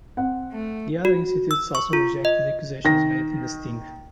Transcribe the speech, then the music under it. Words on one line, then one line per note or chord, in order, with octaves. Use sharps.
The other institutes also rejected the accusations made in the sting.
C4 F#5
A3
F#4
E6
C#6
F4
D#5
D#3 A#6